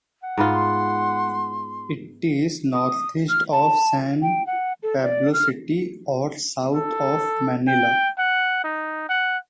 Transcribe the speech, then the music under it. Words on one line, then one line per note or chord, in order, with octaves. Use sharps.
It is northeast of San Pablo City, or south of Manila.
F#5
G#2 B3 F4 C6
D#6
F6
A5
G5
F#5
A4
D5
F6
A4
G5
F#5
D#4
F#5